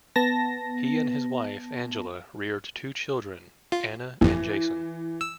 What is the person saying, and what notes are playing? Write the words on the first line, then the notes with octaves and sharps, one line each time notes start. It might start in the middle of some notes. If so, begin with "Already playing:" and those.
He and his wife, Angele, reared two children, Anna and Jason.
B3 A5 A#6
F4
G1 F2 E3
E6